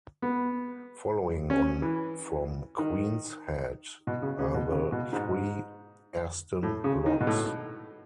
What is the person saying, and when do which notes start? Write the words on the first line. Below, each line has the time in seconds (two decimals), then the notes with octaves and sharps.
Following on from Queen's Head are the three Aston Locks.
0.22 B3
1.50 C#4
1.82 E3
2.79 D#3
4.07 B2
4.22 C#3
4.39 C#3
4.54 B2
4.71 C#3
4.92 B2
5.13 G#2
6.63 A2
6.84 C#3
7.06 D#3
7.20 B2
7.27 A2